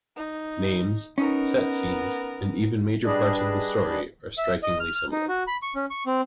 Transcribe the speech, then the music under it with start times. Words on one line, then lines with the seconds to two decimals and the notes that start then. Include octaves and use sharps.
Names, set scenes, and even major parts of the story, are strikingly similar.
0.16 D#4
1.18 B3 C#4 D#4 A#4
3.06 G3 D4 G#4 B4 D5 D#5
4.38 E5
4.63 D#5
4.80 F6
4.95 F6
5.12 D#4
5.29 F#4
5.47 B5
5.62 C#6
5.75 C#4
5.90 C#6
6.06 C4